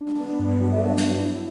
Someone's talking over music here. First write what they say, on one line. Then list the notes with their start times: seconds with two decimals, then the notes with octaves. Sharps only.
The band consists of members of the bands Happy Diving and Big Bite.
0.01 D4
0.20 B3
0.39 G2
0.60 F#3
0.80 D4
1.00 B3
1.19 E4